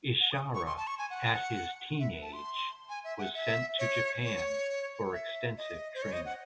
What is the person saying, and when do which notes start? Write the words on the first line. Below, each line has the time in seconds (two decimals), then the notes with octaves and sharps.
Ishara at his teenage was sent to Japan for extensive training.
0.20 F#5
0.31 D#6
0.55 C#6
0.66 C6
0.77 A5
0.87 C#6
0.99 G#5
1.10 F#5
2.00 E5
2.22 A5
2.33 C6
2.89 G#5
3.04 E5
3.19 F#5
3.34 E5
3.79 C#5
4.23 C#5
5.13 E5
5.57 D#5
5.94 C5
6.02 C#5
6.13 D#5
6.25 F#5